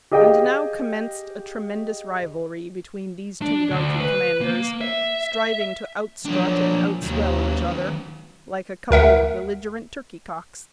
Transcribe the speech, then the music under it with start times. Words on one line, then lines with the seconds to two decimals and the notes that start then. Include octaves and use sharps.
And now commenced a tremendous rivalry between these two doughty commanders, striving to outstrut and outswell each other, like a couple of belligerent turkey-cocks.
0.11 G4 G#4 D#5 F5 G5
3.42 D4
3.71 D2
4.00 B4
4.41 A#3
4.81 E5
6.25 F3 F#3 D4
7.02 D#2 D#3 F#3
8.91 D2 A#4 E5 F#5